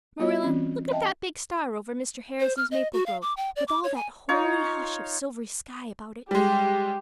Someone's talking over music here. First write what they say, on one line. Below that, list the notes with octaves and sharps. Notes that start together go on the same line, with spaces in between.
Marilla, look at that big star over Mr. Harrison's maple grove, with all that holy hush of silvery sky about it.
G3 B3 F4 F#4 C#5 D#5
E3 C4 C#4
D#5 E5 G5 A5
C5
F6
D#5
F#4
F5
D6
G5
D5
D6
C#5
G#5
D#4 F4 C#5
G3 G#3 G4